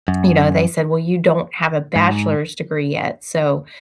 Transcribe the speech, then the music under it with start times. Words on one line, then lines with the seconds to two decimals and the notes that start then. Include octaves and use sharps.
you know, they said, "Well, you don't have a bachelor's degree yet, so
0.08 F#2
1.96 G#2